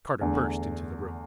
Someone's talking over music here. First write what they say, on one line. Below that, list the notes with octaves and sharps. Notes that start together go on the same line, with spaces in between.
Carter burst into the room.
E2 D3 A3